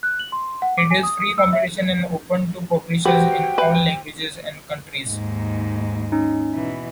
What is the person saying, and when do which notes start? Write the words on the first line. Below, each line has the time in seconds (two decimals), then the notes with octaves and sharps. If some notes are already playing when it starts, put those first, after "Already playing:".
It is free competition and open to publishers in all languages and countries.
0.03 F#6
0.19 F#7
0.32 C6
0.62 F#5
0.78 D6
0.91 G#5
1.03 D#6
1.20 D#6
1.38 E6
1.53 E5
3.05 F#4 G4 B4 C5 G5
3.58 B4
5.07 D#2 G#2
6.12 C#4 D#4
6.53 B2 E3